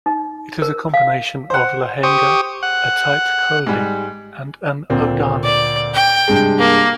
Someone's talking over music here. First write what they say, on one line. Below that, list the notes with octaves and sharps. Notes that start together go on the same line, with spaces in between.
It is a combination of "lehenga", a tight "choli" and an "odhani".
D#4
A#4
F5
C5 F#5
G4 C5 C#6 D#6
F#5
G#2 G3
D2 A#2 C4
D5
G5
G2 C3 G#3
A#3